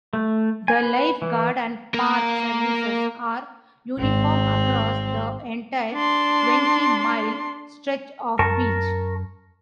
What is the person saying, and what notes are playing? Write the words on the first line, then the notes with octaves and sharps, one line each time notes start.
The lifeguard and park services are uniform across the entire twenty-mile stretch of beach.
A3
G#5
B4
E3
A#3 A#4
G#1 C4
D4 C6
F#2 A#4 A5 C#6